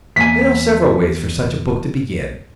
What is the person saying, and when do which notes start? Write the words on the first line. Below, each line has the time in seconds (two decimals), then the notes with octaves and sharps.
There are several ways for such a book to begin.
0.16 E2 A#3 G#5 B6